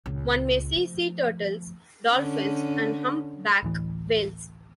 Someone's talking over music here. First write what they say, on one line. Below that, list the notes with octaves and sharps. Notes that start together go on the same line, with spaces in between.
One may see sea turtles, dolphins and humpback whales.
C#2 A#2
F3 A3
D3 C#4
D1 A1 E3